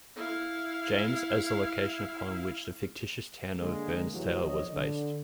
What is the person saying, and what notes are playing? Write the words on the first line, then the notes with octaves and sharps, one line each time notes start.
James as the location upon which the fictitious town of Burnstow was based.
E4 F5
D3 G#3 A#3
E2 A2 C3 D#3 E3 F#3
A#1 F3 C#5 D#5
D3